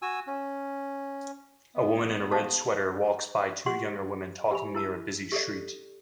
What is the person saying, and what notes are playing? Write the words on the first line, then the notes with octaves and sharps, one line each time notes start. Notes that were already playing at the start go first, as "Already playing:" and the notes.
A woman in a red sweater walks by two younger women talking near a busy street.
F#4 G#5 E6
C#4
B3
G4 F5 A5
G4 F#5 C6
G4 G#5 B5
E4 A#4 A5
G4 A4 D5